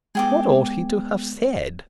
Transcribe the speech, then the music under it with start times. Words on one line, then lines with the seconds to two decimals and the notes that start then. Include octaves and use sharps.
What ought he to have SAID?
0.15 G#3 B3 G#4 G5 D6